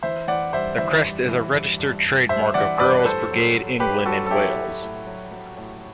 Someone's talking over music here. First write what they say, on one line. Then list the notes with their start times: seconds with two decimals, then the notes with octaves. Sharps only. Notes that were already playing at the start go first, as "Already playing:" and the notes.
The crest is a registered trade mark of Girls' Brigade England and Wales.
0.03 E3 C5 E5
0.28 E3 D5 F#5
0.53 G2 C5 E5
0.78 E3 C5 E5
1.03 G2
1.29 E3
1.53 G2
1.79 G2
2.04 G2
2.29 G2 C5 E5
2.54 E3 D5 F#5
2.79 G2 B4 D5
3.00 B4
3.05 A2 A4 C5
3.30 F#3
3.55 F#3
3.80 F#3 G4 B4
4.06 F#3 F#4 A4
4.26 A4
4.30 F#3 E4 G4
4.56 F#3
4.82 A2
5.07 F#3
5.31 F#3
5.57 A2